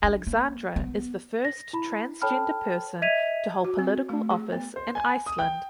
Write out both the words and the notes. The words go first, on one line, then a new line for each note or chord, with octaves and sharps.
Alexandra is the first transgender person to hold political office in Iceland.
D4
A#3
B3
A#6
E4 B5
A4 C#5 G5 A5 B5 F6
D#5 E5 G#6 B6 D#7 F7
F#4
C4
A3
G#4
B3
C5
G#5
D#6
G5